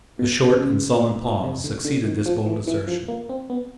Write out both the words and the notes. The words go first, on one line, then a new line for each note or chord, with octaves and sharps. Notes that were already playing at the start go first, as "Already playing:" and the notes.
A short and sullen pause succeeded this bold assertion.
B2
C3
C#3
C3
D3
D3
D#3
F3
E3
E3
F3
A#3
C4
B3